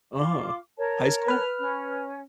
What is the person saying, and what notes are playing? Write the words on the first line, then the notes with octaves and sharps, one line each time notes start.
Uh-huh. High school?
F4 F5 D6
A#4 C#5 A5
B4 F6
C#4